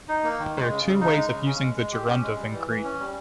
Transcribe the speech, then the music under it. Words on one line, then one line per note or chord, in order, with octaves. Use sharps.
There are two ways of using the gerundive in Greek.
D#4
A#3
D#3
G#3
C#3
C#3
D#4
G#3
C#3
C#4
G#3
G#3
G4
C#4
G#3
G3
E3
E3
C#4
G3